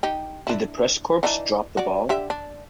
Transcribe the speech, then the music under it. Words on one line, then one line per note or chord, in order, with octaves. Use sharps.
Did the press corps drop the ball?
D#4 G4
D4 E4
E3 D4 D#4
F#4 D5
D3 G4 E5
D4